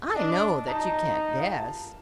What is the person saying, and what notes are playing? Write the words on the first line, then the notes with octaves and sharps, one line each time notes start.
"I know that you can't guess."
D4 D#5
D#4 A5
F5
A5